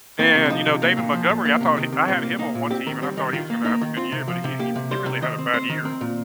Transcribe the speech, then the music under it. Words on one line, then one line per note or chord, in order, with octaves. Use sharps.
And, you know, David Montgomery, I thought he I had him on one team, and I thought he was gonna have a good year, but he he he really had a bad year.
A#3 C4
C3
C4
F3 D#4
C3
A#3
A#2
F3
A#2
A#3
C3
D#3
C3
A#2 C4
A#3
A#3 D#4
A#2
C4 G4
D#3 A#4
G3 C4
D#3 D#4
D#3 F4
A#3
A#3 D#4
D#3
C4 F4
C3
F3
C3
A#3 G4
C3
G3 C5
C3
D#3 D#5
C4
C4 C5
D#3
C4 A#4
A#2